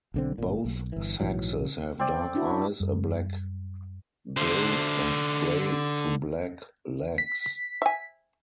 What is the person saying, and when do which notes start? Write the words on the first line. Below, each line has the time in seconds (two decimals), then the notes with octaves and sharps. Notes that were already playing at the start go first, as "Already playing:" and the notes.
Both sexes have dark eyes, a black bill and grey to black legs.
0.14 B1 D3 C4
0.38 G1 A#2
0.65 B1
0.92 G1 E3
1.20 A#1 G#2 E3 F#3
1.99 C4 D5 G5
2.35 D4 E4 F#4
2.80 F#2 G3
4.37 D3 C5
7.18 B6
7.82 E5 G#5